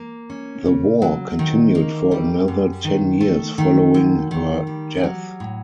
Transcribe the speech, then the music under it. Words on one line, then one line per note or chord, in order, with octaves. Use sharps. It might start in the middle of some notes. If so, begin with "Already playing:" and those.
The war continued for another ten years following her death.
Already playing: A#3
C#4
C#3
F#3
D#3
A#3
G3
F#2
D#3
A3
D#3
F#2
D#3
G3
F#3
A2